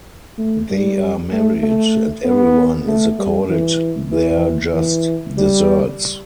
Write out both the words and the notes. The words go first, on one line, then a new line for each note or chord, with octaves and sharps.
They are married; and everyone is accorded their just deserts.
A3
G3
A3
A3
B3
A3
G3
E3
E3
E3
G3